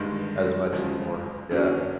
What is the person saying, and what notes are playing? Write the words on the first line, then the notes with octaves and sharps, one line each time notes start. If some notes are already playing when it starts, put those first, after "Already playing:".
as much anymore. Yeah.
Already playing: G1 G2 D#3 G#3
G1 F#2 C#3 F3 G#3
F#2 D3 F#3 A#3 C#4